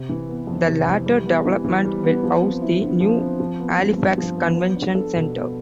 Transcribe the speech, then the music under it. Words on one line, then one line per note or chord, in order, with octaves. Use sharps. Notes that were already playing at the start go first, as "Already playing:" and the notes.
The latter development will house the new Halifax Convention Centre.
Already playing: C3
E3
B3
F2
C3
E3
G3
B3
E3
E3
G3
B3
F3
C4
E4
D3
F3
C4
F3
B3
G2
G2
F3
B3
B3
D4
A4
B2
B3